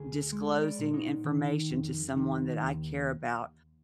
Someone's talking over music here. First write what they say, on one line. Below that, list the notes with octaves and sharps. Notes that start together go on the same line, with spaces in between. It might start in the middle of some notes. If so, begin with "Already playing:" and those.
disclosing information to someone that I care about
Already playing: D2 G#4
G#3
D5
A#2
D#4
D#3
F2
D#3
D#2